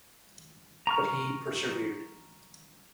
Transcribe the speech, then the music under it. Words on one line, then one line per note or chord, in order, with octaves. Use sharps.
But he persevered.
A#5 C#6 F6